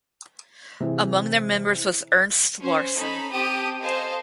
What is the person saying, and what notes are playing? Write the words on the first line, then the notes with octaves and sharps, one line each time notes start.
Among their members was Ernst Larsen.
C3 E3 G#4
C#4 C5
C#4 D#4 A4 B5
C4 G4 G5 A5 D#6
A4 C5 D#5 F5 G#5 A5